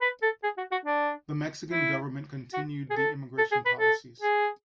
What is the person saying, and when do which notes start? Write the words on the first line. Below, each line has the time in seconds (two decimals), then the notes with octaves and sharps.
The Mexican government continued the immigration policies.
0.02 B4
0.22 A4
0.43 G#4
0.58 F#4
0.72 F#4
0.85 D4
1.70 E4
2.54 F#4
2.90 G#4
2.96 A4
3.38 A4
3.52 G#4
3.66 B4
3.80 A4
4.22 G#4